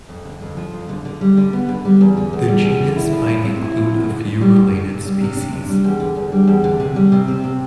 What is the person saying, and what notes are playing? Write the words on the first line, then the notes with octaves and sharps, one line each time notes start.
The genus might include a few related species.
F2
D3
F2
F3
F2
D3
D3
G3
D3
B3
D3
G3
E2
D3
E2
G3
E2
D3
E4
F3
A2
C4
E4
F3
D2
D3
D2
G3
D2
D3
C3
G3
C3
D4
C3
G3
E2
D3
E2
G3
E2
D3
C3
G3
C3
C4
C3